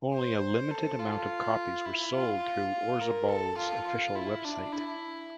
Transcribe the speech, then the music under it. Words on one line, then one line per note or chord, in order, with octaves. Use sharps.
Only a limited amount of copies were sold through Orzabal's official website.
C5
A4
F4
E4
F4
A#4
A4
F4
F4
E4
D4
E4